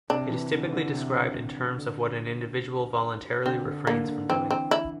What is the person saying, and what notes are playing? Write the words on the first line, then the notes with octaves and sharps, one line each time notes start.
It is typically described in terms of what an individual voluntarily refrains from doing.
C3 D4
E3
D3
E3
D3
C3
D3
D3 C4
D3
D3 A#3
D3
E3 C4
C4
E4